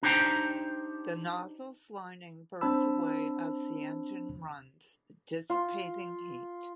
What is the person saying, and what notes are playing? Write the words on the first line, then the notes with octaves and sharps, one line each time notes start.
The nozzle's lining burns away as the engine runs, dissipating heat.
D4 D#4 G4 C5 G5 A#5
C4 D4 C5 A5 B5 E6
F4